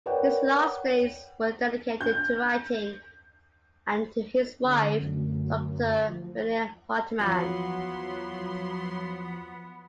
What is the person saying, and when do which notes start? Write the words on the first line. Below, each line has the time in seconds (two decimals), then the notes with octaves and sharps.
His last days were dedicated to writing and to his wife Doctor Renee Hartmann.
0.06 A#4 B4 C#5 D5 F#5 G5
2.01 G6
4.64 D3 C#4 G#4
5.00 F#2 D3 A3
6.09 F3
7.19 E2 F3 F#3 B3 F4 F#4 C6